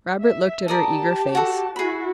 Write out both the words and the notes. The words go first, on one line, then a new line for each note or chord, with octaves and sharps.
Robert looked at her eager face.
E5
G4 A#4 D5 A5 D#6
F#4 A4
E4 F#4 G#4 B5